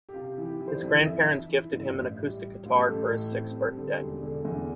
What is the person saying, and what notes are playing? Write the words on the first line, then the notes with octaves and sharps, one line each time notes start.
His grandparents gifted him an acoustic guitar for his sixth birthday.
G4
C3 F4
E3
G4
E3
C5
D5
F2
E3 E5
E3
E3
G1
A1
G3
G3
A1 F4
G4
A1 A4
A2
C4
G3
D3
E1
D3
E2